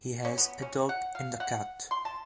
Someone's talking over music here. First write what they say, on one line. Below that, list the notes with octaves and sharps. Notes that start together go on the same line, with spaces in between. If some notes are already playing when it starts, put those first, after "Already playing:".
He has a dog and a cat.
C#4
B3
C#4
F#5
F5
F#5
C6
A5